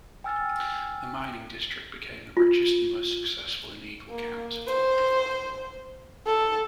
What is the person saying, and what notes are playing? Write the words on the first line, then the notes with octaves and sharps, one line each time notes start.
The mining district became the richest and most successful in Eagle County.
G5 G#5 E6 F6 A6
F4
A#3
C5
A4